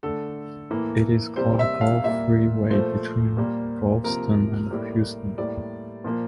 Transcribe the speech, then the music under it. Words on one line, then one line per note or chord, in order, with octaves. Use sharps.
It is called Gulf Freeway between Galveston and Houston.
D3 A3 A4
A2 E3 A#3
C3 G3 A#3 C5
E5
F5
A#2 G3 A#3 E5
A#2 F3 A3 C5
A#2 G3 A#3
C3 F3 A#3 A#4
A2 G3 A#3
A2 G3 A#3 D5
A#2 F3 A#3